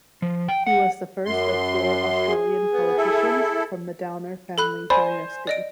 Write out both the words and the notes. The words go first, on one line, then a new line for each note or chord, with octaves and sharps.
He was the first of four Australian politicians from the Downer family dynasty.
F3
G5
F#5
F#2 C6
G#4
B3
E4 A4
A4 B5 F#6
C5 D5 G#5 B5
D5 D#5 D7